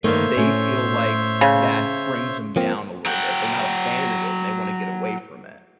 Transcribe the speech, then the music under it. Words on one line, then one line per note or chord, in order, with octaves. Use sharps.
i they feel like that brings 'em down a little bit. They're not a fan of it, and they wanna get away from it,
G2 D#3 A3 A#3 C5 C#5 E5
A2 A3 C#4
C#3
F3 A#3 C4
F#3 F#5 G5